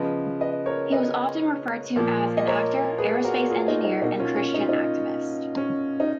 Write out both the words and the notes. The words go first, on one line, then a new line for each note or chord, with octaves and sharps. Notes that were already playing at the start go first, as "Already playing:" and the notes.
He was often referred to as an "actor, aerospace engineer, and Christian activist".
Already playing: C#3 F3 B3 B4 D#5
B4 D#5
A#4 C#5
B4 D#5
A#2 F3 A#3
D#5
A#4 C#5
G#4 B4
F#4 A#4
F4 G#4
D#4 F#4
D#4
B2 A#3 D#4 F#4
C#4 F4
C#4
D#4
F4
D#4
C#4
D#4